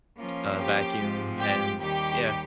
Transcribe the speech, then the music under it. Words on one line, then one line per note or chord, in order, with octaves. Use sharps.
uh, vacuum, and yeah,
F3 A#3 C#4 F4
G4
G#2 F3 G#3 C4 F4
G4
D#2 D#3 G3 G4